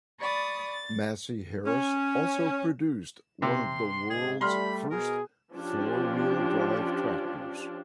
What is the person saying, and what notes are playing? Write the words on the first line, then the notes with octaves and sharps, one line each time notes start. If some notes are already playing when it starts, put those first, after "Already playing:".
Massey Harris also produced one of the world's first four-wheel drive tractors.
D5 B5 C#6 D#6 A6
A6
C#4
C3 C6
G#2 C#3 G#4
G3 A3 B5 C6 F6
B2 G#4 A#4
F3 C#4 D4 F4 G4